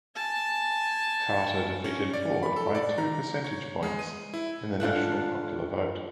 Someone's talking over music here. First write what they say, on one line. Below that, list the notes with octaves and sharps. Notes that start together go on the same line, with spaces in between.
Carter defeated Ford by two percentage points in the national popular vote.
G#5 A5
C#4
D5
B5
A4
D5
A#5
C#5
G#3
D#7
E4
D4 F4 A4 F#5